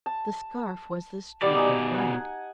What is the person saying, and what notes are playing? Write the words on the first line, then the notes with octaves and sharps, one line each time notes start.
The scarf was the streak of white.
A5
B2 G3 D5
D#4 G#5
F#5 G#5